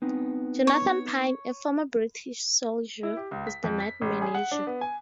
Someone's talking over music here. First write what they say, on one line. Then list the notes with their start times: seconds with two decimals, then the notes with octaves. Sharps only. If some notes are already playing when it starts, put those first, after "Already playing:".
Jonathan Pine, a former British soldier, is the night manager.
0.02 B3 C4 D#4
0.67 C#5
3.03 E4
3.17 G4
3.31 C#2
3.47 B6
3.64 F2
3.80 B6
4.01 A1
4.22 G#4
4.35 F#5
4.51 D4
4.67 B3
4.81 G#5